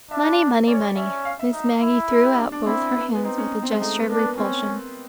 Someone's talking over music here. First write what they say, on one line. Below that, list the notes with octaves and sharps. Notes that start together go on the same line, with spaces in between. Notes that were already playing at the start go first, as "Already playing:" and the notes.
"Money, money, money!" Miss Maggie threw out both her hands with a gesture of repulsion.
D4 E5
C#4 D5
C#5
D5
C#4 E5
F5
E5
D#4
E4
A#4
G4
D4
D4
C4 E4
B3
B3
C4 D#4
C#4
C4
G#3
A3 D#4
B3
A#3 D4
B3
C4 C#4